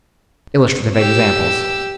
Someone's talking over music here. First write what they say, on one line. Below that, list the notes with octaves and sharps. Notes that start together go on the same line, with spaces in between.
Illustrative examples.
G4 E6